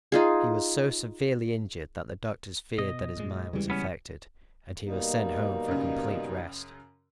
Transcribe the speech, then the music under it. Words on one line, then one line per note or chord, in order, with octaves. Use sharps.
He was so severely injured that the doctors feared that his mind was affected, and he was sent home for a complete rest.
D#4 F4 G#4
B2 D#5
F#2 A#2 G#3
C#3 E3 G3 G#3
B3 C#4
B2 G3 A#3 D#4
F#2 C#3